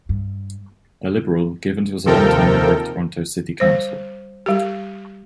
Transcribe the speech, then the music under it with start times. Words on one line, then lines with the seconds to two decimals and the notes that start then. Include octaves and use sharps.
A Liberal, Givens was a longtime member of Toronto's city council.
0.09 G2
2.05 D#2 C3 F3 A4 A#4 G5
3.60 G3 C5
4.46 G3 G4